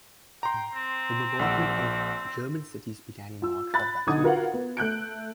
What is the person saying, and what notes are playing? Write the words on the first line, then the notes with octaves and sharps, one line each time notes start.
The bombardment of German cities began in March of that year.
G5 A#5 C6
C4
A#1 F#5 E6
F4 E6
B5 F#6 A6
B1 D3 D#4 F#5 D#6 G#6
F4 F#4 A#4 B4 F5 F#5
B3
A3 F#6 G6 D7